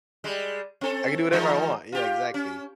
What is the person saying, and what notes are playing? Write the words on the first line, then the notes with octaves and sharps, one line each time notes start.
I can do whatever I want, yeah, exactly.
G3 G#3
C4 A4
E3 G#3 D#4
F4 G4
C#4